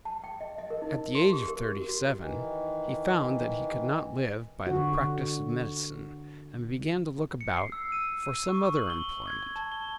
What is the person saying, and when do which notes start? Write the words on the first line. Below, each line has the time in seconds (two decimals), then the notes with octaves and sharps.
At the age of thirty-seven he found that he could not live by the practice of medicine, and began to look about for some other employment.
0.05 A5
0.24 G5
0.41 D#5
0.58 D#5
0.70 A#4
0.82 D#4
1.15 C6
1.33 G4
1.48 A#4
1.77 F#4
2.16 D#3 E3
4.67 D3 F#4
7.41 C#7
7.56 C7
7.72 E6
7.92 D#7
8.23 D#7
8.49 C#6
8.77 F#7
8.90 G7
9.27 G#6
9.56 A5
9.72 G7